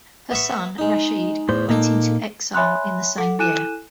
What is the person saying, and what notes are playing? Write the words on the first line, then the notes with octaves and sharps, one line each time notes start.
Her son, Rashid, went into exile in the same year.
B3 E5 C#6
G#3 D#4
E2 A2 C5
A#2 A#3 D#4 A4
C#5 E5 G#5 B5 C6 F#6
A4 F#5
E4 A4 G#5 F#6 D#7 E7